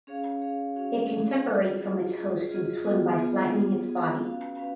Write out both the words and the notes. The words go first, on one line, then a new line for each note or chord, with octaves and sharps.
It can separate from its host and swim by flattening its body.
C#4 G#4 C#5 F5
C#4 G#4 C#5 F5
C#4 G#4 C#5 F5
C#4 G#4 C#5 F5
F4 G#4 D#5
F4 G#4 D#5
F4 G#4 D#5
F4 G#4 D#5
B3 F4 G#4
B3 F4 G#4
B3 F4 G#4
B3 F4 G#4
C#4 F#4 B4 F5
C#4 F#4 B4 F5